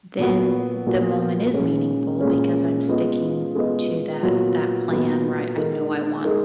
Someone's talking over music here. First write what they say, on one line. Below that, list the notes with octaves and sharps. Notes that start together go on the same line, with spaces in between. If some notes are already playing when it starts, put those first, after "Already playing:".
then the moment is meaningful because I'm sticking to that that plan where I I know I want
A#2 F#3 B3 F#4
A#2 F#3 B3 F#4
A#2 G#3 C#4
A#2 G#3 C#4
G#3 B3 F4 B4 D#5
G#3 B3 F4 B4 D#5
A#2 F#3 B3 F4
A#2 F#3 B3 F4
G#3 D#4 A#4
G#3 D#4 A#4